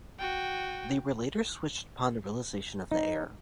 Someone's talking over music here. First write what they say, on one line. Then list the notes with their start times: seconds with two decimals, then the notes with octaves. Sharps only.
They were later switched upon the realization of the error.
0.19 F#4 G5
2.91 D#4